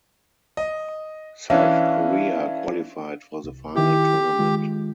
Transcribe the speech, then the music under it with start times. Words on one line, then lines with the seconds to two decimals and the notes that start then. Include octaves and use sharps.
South Korea qualified for the final tournament.
0.57 D#5
1.50 E3 C#4 D4 E5 F5
3.44 C2
3.76 D#3 E4 G4
4.39 D#3 G#3 F4